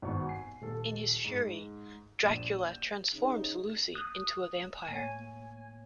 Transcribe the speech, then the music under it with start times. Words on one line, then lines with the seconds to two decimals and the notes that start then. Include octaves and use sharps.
In his fury, Dracula transforms Lucy into a vampire.
0.02 G#1 B2 C#6
0.26 G#5 C7
0.62 D#1 A4
1.24 G#2
2.23 A#1 D5 D#7 E7
2.65 G6
3.13 C#3 D#4
3.95 D#6 F#6
4.88 A2 A#3 C#5 G#5